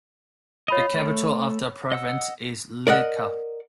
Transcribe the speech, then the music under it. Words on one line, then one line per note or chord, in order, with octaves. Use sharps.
The capital of the province is Llica.
F4 C#5 D#5 B5 F7
A3
D#5 F#5 E6
A#4 D5 D#5 F#5